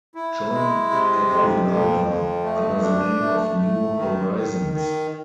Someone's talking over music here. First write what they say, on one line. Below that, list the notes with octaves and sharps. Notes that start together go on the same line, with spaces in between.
John Aquilina, under the name of New Horizons.
E4
G#3
C3
F2
F2
F2
A3
D4
A3
A3
D#3
D#3
D#3